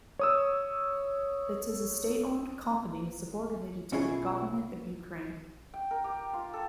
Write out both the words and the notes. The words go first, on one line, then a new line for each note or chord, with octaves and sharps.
It is a state-owned company subordinated to the Government of Ukraine.
C#5 D#6 E6
B2 C#4 E4 F4 G#4
G5
A#4
G4
F4
A4